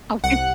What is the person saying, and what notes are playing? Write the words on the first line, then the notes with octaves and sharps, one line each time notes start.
I went
C2 F#5